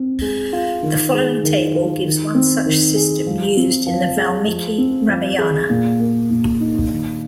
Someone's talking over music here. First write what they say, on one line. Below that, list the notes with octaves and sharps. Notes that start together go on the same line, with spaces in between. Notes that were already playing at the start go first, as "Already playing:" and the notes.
The following table gives one such system used in the Valmiki Ramayana.
Already playing: C4
G#3
F4
D#3
G#3
D#3
F4
D#3
C4
D#3
G#4
F3
C4
F3
G#4
F3
C4
F3
G#4
A#2
A#3
A#2
D#4
D#3